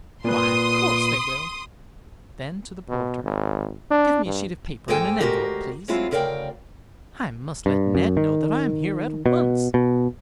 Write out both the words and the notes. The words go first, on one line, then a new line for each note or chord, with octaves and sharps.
"Why, of course they will." Then to the porter, "Give me a sheet of paper and an envelope, please.--I must let Ned know that I am here at once."
A#2 B4 C6 D#6
B2
G#1
D4
G2
G#2 G#3 A#3 A4 G5 G#5
D2 G#3 F#4 G4 A#4
F#3 G#3 C4 E4 F4
D2 C#3 A#4 D5 F5 G5
G2
F#2
D#3
B2
B2